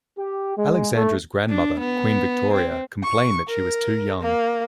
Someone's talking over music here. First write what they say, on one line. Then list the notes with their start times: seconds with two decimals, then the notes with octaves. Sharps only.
Alexandra's grandmother, Queen Victoria, complained that she was too young.
0.18 G4
0.57 G#3
0.95 A3
1.49 D4
1.80 B3
2.53 C4
3.03 C#6
3.48 A#4
4.21 A#3